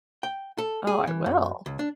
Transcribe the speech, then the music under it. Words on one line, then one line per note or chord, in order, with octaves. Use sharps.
Oh, I will.
G5
A4
G#4
E3
F#2
C#2
D4